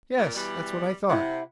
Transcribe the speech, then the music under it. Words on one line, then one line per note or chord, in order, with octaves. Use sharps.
Yes: that's what I thought....
A#2 A#4
B2 E3 G3
C3 E4 F#5